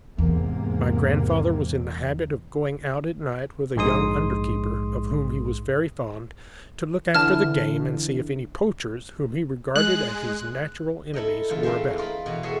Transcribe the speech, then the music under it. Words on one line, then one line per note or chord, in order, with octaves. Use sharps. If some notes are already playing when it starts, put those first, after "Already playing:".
My grandfather was in the habit of going out at night with a young under-keeper, of whom he was very fond, to look after the game and see if any poachers, whom he regarded as his natural enemies, were about.
E2 G#2 C3 A#3
A#1 G#2 G#3 C6 D#6
D3 E3 A5 F6
G#3 F#6
E4 A4 A#4 D#5
C#3 E3 F4 A4
A3 C4 A#4 C5 E5
F4 A#4 D#5 B5
B2 E3 B3 A#5
G#4 A4 C#5 D#5 E5